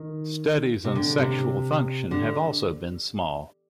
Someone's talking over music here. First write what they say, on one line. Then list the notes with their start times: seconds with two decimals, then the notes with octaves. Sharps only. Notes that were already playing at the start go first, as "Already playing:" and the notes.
Studies on sexual function have also been small.
Already playing: D#3
0.85 C3
0.95 D3
1.18 C3
2.11 D3